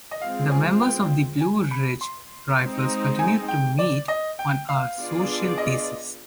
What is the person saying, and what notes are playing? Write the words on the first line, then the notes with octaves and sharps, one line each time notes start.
The members of the Blue Ridge Rifles continued to meet on a social basis.
D#5
G#3 C4 F4 G#4 F5
G#5
G5
G#5
B5
C6
G#3 C4 D#4
G#5
G5
D5
D#5
G5
F5
B3 D4 F4 G#4 D5
D#5